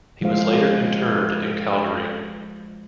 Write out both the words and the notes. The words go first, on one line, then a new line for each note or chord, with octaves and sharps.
He was later interred in Calgary.
F3 G#3 F4 G#4 C5 F5